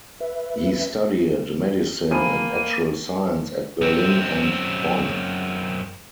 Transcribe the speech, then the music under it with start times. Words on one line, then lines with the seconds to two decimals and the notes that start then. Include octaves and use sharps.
He studied medicine and natural science at Berlin and Bonn.
0.21 B4 E5
2.11 E2 F3 A#3 G#5 A5 B5 D#7
3.81 F#2 C4